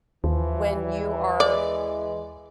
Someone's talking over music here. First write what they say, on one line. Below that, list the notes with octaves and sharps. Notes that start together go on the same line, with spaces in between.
when you are
D#2 E3 F3
G3
G#3 D5